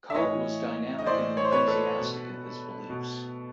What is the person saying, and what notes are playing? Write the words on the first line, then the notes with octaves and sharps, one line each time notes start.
Coe was dynamic and enthusiastic in his beliefs.
E5
A2 E3 C#5 D#5
D#5
A2 E3 C5 D5
C#5
C5
B4 C#5
A4 B4
B2
B2